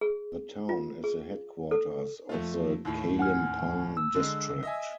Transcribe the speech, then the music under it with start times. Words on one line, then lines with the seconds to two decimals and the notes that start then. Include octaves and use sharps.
The town is the headquarters of the Kalimpong district.
0.01 G#4
0.69 F4
1.04 G#4
1.71 A4
2.29 F2 A3 F4
2.85 D#2 A2
3.19 F#5 G#5 F6
3.97 E6
4.15 D3 G#3
4.63 D#5 E5 G#5